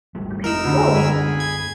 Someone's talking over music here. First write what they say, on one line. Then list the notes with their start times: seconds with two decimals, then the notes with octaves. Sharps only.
Okay, cool.
0.15 G#1 G3 A3
0.44 F1 A3 D#4 A#4 E6
0.64 D2 D3
0.94 F#2 B3 G#4 G#5 B5
1.40 G#6